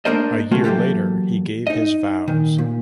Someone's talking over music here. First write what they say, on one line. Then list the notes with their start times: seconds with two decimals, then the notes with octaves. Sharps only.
A year later he gave his vows.
0.05 A3 A#3 D4 A#4 C5 D#5
0.51 C#2 G#3 A3 F4 F#4
0.64 E3 F#3 A#3 G4 A4
1.67 D#4 D#5
2.28 A#2 D#3
2.58 A#2